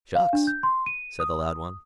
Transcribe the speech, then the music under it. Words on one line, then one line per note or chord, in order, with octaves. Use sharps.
"Shucks!" said the loud one.
F5
D4
G6
C6
D#7
D#6